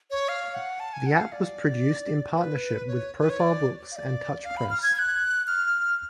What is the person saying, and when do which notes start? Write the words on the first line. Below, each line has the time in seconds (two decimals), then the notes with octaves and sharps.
The app was produced in partnership with Profile Books and Touch Press.
0.11 C#5
0.29 F5
0.55 F#5
0.80 A5
0.93 G#5
1.06 F#5
1.19 F5
1.32 D5
2.36 B4
2.88 C#5
3.18 B4
3.30 C#5
3.40 D5
3.92 F5
3.97 D5
4.44 F5
4.57 B5
4.70 F6
4.83 G#6
4.96 G#6
4.99 F#6
5.47 F6